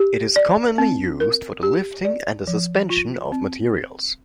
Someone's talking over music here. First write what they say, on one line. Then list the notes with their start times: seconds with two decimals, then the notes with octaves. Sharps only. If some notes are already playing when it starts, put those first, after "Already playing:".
It is commonly used for the lifting and the suspension of materials.
Already playing: G4
0.36 D5
0.78 C4
1.20 A#4
1.63 G4
2.05 D5
2.47 F3
2.90 F4
3.32 C4